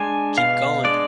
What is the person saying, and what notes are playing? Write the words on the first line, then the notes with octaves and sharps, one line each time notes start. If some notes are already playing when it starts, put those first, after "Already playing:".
Keep going.
Already playing: G#3 D4 G#5
B2 F5
G#3 D4 D5